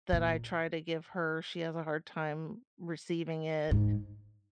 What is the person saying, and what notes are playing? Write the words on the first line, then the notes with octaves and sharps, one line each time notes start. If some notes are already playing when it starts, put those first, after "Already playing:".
that I try to give her. She has a hard time receiving it.
A#2
G#2